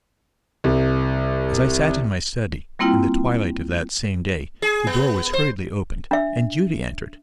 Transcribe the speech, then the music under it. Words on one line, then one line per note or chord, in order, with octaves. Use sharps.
As I sat in my study, in the twilight of that same day, the door was hurriedly opened, and Judy entered.
C2
G3 A#3 C4 E4 F4 G5
G#4
B3
C5
D4 E5